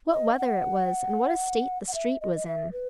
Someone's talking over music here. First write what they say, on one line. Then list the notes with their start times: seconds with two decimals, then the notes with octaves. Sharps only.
What weather it was, and what a state the street was in!'
0.12 D#5
0.34 E5
0.38 F#5
1.88 F#5
1.94 E5
2.21 D#5
2.35 D#5
2.47 E5
2.72 B4